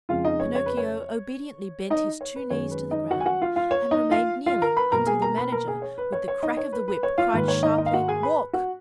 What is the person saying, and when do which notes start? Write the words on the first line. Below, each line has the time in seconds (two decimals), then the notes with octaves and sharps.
Pinocchio obediently bent his two knees to the ground and remained kneeling until the Manager, with the crack of the whip, cried sharply: "Walk!"
0.09 F2 C#3 F3 G#3 F4 F5
0.25 D#4 D#5
0.40 C#5
0.55 C#5
0.66 B4
0.77 C#5
1.90 D#4 D#5
2.21 C#5
2.36 B4
2.50 F#2 D#3 G#3 C#5
2.71 B4
2.91 D#4 D#5
3.11 F#4 F#5
3.20 G#5
3.26 F#4 F#5
3.42 F4 F5
3.56 F4 F5
3.71 C#5
3.91 D#4 D#5
4.11 F4 F5
4.46 F4 F5
4.62 A#4 A#5
4.77 B4 B5
4.92 B2 A#3 A#4 A#5
5.06 G#4 G#5
5.22 A#4 A#5
5.37 B4 B5
5.52 A#4 A#5
5.68 G#4 G#5
5.82 C#5
5.98 B4
6.12 C#5
6.28 C#5
6.43 D#4 D#5
6.57 C#5
6.73 B4
6.88 B4
7.03 C#5
7.18 F4 F5
7.33 G#2 D#3 A#3 B4
7.48 C#5
7.63 D#4 D#5
7.78 D#4 D#5
7.86 F5
7.93 F#4 F#5
8.08 G#4 G#5
8.23 B4 B5
8.53 F#4 F#5